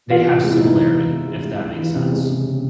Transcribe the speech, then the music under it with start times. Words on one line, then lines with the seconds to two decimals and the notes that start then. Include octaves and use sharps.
they have similarity, if that makes sense.
0.10 E3 F4
0.27 C3
0.44 G#3
0.51 E4
0.61 G#3 D#4
0.77 E3
0.95 E3
1.11 E3
1.28 G#3
1.45 G#3
1.61 G#3
1.79 E3
1.95 C3
2.13 G#3
2.30 C#3
2.46 C#3